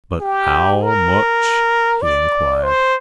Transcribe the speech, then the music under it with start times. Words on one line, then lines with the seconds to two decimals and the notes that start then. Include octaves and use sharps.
"But how much?" he inquired.
0.21 G4
0.82 A#4
2.02 D5
2.63 C5